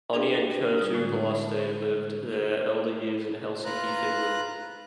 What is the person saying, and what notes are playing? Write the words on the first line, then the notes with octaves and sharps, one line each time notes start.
Onni and Kerttu Palaste lived their elder years in Helsinki, Finland.
D4 G#4 A4 B4 G5
G3 D#4 D#6
A2 D3 G#3
F4 B4 A#5 F#6